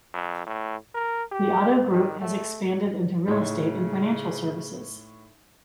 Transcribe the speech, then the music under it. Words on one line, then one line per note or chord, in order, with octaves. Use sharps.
The Otto group has expanded into real estate and financial services.
F2
A2
A#4
G4
D#3
A3
A2 C#3 D#4 C#5